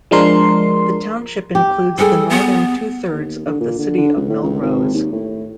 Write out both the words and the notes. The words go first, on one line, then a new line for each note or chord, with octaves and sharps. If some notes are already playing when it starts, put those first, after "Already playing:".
The township includes the northern two-thirds of the City of Melrose.
F3 G#3 D4 A#4 C6
G4
G3 G#4 A4
B3
D#2
D3
A#2
D3
D3
C#2
A2
C#2
G#1
D#2
A2